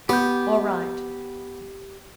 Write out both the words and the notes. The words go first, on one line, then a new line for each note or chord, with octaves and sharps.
'All right.
B3 G4 G6